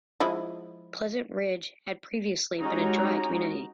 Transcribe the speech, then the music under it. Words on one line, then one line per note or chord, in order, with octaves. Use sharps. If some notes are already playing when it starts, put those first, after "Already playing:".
Pleasant Ridge had previously been a dry community.
F3 G#3 E4
G#3 C#4 D#4 F#4 G4 A#5